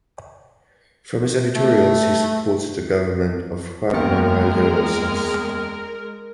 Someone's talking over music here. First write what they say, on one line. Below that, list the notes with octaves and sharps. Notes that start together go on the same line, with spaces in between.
From his editorials he supported the government of Juan Manuel de Rosas.
A3
E1 F#2 G#3 A#3 B3 A#4 G5